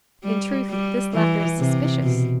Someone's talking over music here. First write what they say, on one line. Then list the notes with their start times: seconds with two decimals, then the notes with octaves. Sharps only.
In truth, this laughter is suspicious.
0.24 G3
0.69 G3
1.14 E3
1.59 C3
2.03 B2